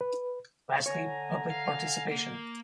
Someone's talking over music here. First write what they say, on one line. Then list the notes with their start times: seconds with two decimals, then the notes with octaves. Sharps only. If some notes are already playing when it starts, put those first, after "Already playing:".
Lastly, public participation.
0.01 B4
0.86 D3 C#5 G#5 A#5
1.50 F5
2.11 A#3